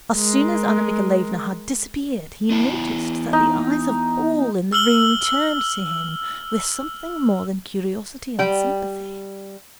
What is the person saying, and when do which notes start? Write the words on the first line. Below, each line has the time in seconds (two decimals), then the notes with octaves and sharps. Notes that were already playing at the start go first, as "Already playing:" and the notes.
As soon as Anna Mikhaylovna had disappeared he noticed that the eyes of all in the room turned to him with something more than curiosity and sympathy.
0.15 G#3 A#4
2.50 B3 E4 A5
3.33 D#4
4.73 E6 F6 F#7 G7
8.39 G3 G5